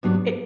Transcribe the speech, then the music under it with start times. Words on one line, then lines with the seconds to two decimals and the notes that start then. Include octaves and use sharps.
It it
0.03 G2 F#3 B3 D4